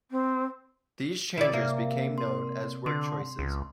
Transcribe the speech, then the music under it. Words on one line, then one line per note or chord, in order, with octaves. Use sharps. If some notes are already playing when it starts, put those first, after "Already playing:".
These changes became known as WorkChoices.
C4
D#3 E4 D5
C3 A#3 E5
C6
D3 C6
C#2